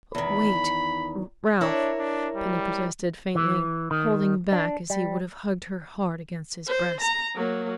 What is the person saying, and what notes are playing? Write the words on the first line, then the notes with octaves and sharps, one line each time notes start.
"Wait, Ralph!" Penny protested faintly, holding back as he would have hugged her hard against his breast.
E2 D#3 B5
D4 E4 A#4 C#5
D4
G3
E3
D#3
D4
G3
C5
A#5
F#3 A#3